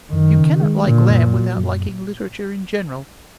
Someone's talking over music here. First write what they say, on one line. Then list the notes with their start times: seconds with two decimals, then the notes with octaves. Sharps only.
You cannot like Lamb without liking literature in general.
0.12 F#2 D#3
0.37 C#3
0.61 G#3
0.85 A#2 D3
1.09 F#2
1.34 F#3
1.58 F#2